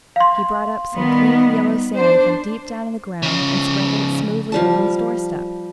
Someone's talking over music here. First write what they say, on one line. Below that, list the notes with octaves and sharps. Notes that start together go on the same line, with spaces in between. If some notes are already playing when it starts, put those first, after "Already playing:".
He brought up some clean yellow sand from deep down in the ground and sprinkled it smoothly over his doorstep.
F5 C6
D#3 G3 B3
D4 C5
C#3 F3
F3 G3 A5